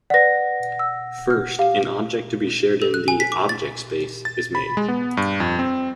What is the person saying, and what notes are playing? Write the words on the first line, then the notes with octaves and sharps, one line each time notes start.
First, an object to be shared in the "Object Space" is made.
B4 D5 F#5 A#6
E6
F6
G4 F5
A4
F#6
G#5
B6
D6
A6
A6
B5
G#3
B3
G2
F2
C4